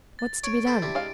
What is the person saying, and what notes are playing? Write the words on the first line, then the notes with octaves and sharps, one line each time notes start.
What's to be done?
A6
C#5 D7
A4 B4 C5
C3 D4 E4
G#3 F5